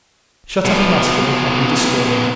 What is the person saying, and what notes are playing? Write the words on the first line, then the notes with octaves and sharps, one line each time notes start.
Shut up a Muscular and you destroy him.
B2 F3